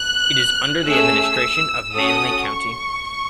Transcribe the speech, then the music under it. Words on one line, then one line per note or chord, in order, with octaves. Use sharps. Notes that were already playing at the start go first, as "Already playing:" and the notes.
It is under the administration of Nanle County.
Already playing: F#6
A3 C#4 G#4 E6
C#4 F#4 A4 D#6
C#6